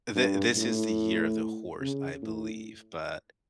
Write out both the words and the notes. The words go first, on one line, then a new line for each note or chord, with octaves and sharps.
The this is the year of the horse, I believe, but,
G2
A2
C#3
A2